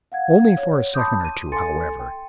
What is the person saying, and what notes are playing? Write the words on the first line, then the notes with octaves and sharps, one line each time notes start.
Only for a second or two, however.
F5 F#5 G#6
C#5
A5 B5 C6 D6 D#6 G6
D#7
A4 G#5 C6 A6 C#7
G5